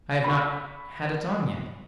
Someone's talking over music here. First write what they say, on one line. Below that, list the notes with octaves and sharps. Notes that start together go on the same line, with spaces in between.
I have not had it on yet.
B5 C#6